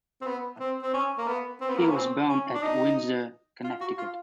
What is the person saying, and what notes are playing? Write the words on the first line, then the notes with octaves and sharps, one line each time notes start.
He was born at Windsor, Connecticut.
C4
B3
C4
C4
C#4
A#3
B3
C4
B3
A#3
B3
C#4
C4
C#4
D4
D#4
F4
F#4
F4